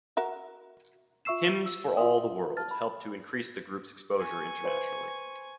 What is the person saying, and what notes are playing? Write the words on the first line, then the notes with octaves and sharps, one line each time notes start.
"Hymns For All The World" helped to increase the group's exposure internationally.
F#4 A#4 E5
F4 E5 C#6 E6 C7 E7
E6
F4 F#4 E5 C6 D#6
A5 F6 A6
B5
G#5 C#6
B4 C5